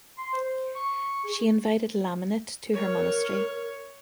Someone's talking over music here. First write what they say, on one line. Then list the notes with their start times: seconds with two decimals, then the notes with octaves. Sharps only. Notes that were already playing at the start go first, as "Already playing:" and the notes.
She invited Laminit to her monastery.
0.18 C6
0.33 C5
0.75 C#6
1.24 G#4
2.74 A#4 C#5